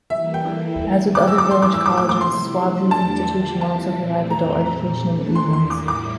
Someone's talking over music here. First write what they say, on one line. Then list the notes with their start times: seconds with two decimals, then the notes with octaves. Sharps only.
As with other village colleges, Swavesey's institution also provides adult education in the evenings.
0.10 E3 G3 A#3 E5
0.34 G5
0.46 E3 A#3 E4 A4
0.80 D3 F3 A3
1.15 F3 C4 E4 A4 D6
1.28 E6
1.38 D6
1.50 A2 E3 A3 C6
1.62 D6
1.74 E6
1.85 A2 F3 A#3 D6
1.97 D6
2.09 D6
2.20 C3 G3 C4 E4 C6
2.56 F3 A3 D4 A4
2.91 E2 D3 A3 D4 G4 A5
3.26 D3 G3 A#3 F4
3.60 E3 G3 C4 E4 A5
3.95 A#2 A3 C4
4.30 F2 E3 A3 C4 A#5
4.66 A#2 G3 C4 A#5
5.01 E3 A3 D4 A4
5.35 E2 E3 A#3 C6
5.53 C6
5.70 A2 G3 A#3 E4 D6
5.88 D6